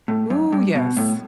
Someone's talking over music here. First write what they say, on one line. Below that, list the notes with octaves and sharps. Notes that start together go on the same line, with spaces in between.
Ooh, yes.
A2
F#2
G2
B2
A2